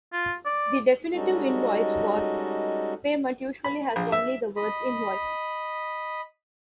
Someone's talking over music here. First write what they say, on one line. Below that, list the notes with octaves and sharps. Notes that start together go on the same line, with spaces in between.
The definitive invoice for payment usually has only the words "invoice".
F4
D5
G3 G#3 C#4 D#4 F#4 A4
B5
A#1
E5
D#5 B5